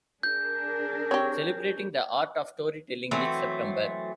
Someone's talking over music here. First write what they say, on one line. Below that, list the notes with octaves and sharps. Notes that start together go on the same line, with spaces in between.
Celebrating the Art of Storytelling each September.
D4 G#4 A#4 G6
C4 G4 C#5
E3 F#3 A3 C4